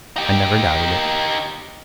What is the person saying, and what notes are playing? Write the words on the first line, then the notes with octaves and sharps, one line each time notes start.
"I never doubted it."
D#4 G4